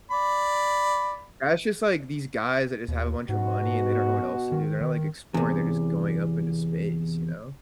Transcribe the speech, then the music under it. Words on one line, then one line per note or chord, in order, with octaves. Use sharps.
that's just, like, these guys that just have a bunch of money and they don't know what else to do, they're not, like, exploring, they're just going up into space, you know?
D5 B5
D#2
G#2 B2 F#4
D#3
D#3
E2 C3